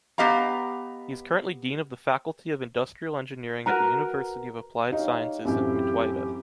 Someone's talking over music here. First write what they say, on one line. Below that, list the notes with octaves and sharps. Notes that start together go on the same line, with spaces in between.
He is currently Dean of the Faculty of Industrial Engineering at the University of Applied Sciences in Mittweida.
B3 G4 D#5 F5 A#5
F#4 A#4 B4 A#5
D#4 G4 C#5 F5
F#2 A2 E3 F#3 C4 C#4 G4